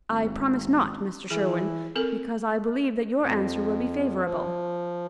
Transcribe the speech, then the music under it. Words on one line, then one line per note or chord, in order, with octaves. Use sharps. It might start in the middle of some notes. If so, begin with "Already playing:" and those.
"I promise not, Mr. Sherwin--because I believe that your answer will be favourable."
G#1
E3 G#4
C4 A4 A#4
F2
F3